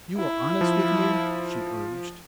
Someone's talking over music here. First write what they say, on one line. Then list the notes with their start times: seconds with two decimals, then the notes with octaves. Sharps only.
"You are honest with me?" she urged.
0.17 E4
0.61 F3